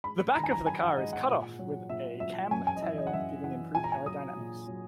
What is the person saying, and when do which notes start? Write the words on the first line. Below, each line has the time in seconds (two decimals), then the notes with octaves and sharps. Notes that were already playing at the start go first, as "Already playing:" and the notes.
The back of the car is "cut-off" with a "Kamm tail" giving improved aerodynamics.
0.04 G#2 B5
0.35 D#3 A#5
0.44 G#5
0.52 A#5
0.66 F#3 G#5
0.82 F#5
0.97 G#2 D#5
1.13 F#5
1.27 A#2
1.59 F#3
1.89 A#2 E5
2.20 F#3 E5
2.51 F#2 G#5
2.67 G#5
2.76 D#5
2.82 E3 E5
2.98 D#5
3.07 F#5
3.13 F#2 E5
3.44 E3 F#5
3.75 A#2 G#5
3.84 A#5
3.92 G#5
4.06 F#3 D#6
4.37 A#2
4.68 F#3